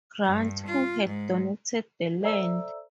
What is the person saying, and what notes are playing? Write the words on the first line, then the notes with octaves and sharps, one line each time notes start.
Grant, who had donated the land.
G2
F4
G#2
A4 C5 D5 E5 A#5 E6